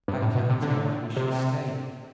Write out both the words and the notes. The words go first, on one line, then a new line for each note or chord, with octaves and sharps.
'I can't tell why we should stay.
G2
A2
B2
C3
D3
C3